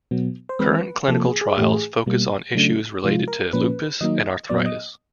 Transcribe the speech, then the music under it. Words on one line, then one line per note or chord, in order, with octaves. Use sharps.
Current clinical trials focus on issues related to lupus and arthritis.
B2 F#3 B3
C5
E3 G#3 C4 B4
C3 F3 A#3 A4
G#4
G#4
A2 E3 A3 G4
G#4
B2 G3 A#3
C#3 F#3 A3 D4
C3 F3 G#3 F4
A#4
A#2 F3 A#3 C#4 B4
D#3 F#3 A#3 D#4 D#5
A#2 F#3 B3 D5
D#5